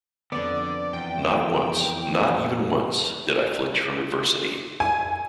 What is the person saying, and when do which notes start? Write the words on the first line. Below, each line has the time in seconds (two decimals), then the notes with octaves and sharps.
Not once, not even once, did I flinch from adversity.
0.32 F2 D3 B3 D5
0.93 E2 G5
4.80 G#5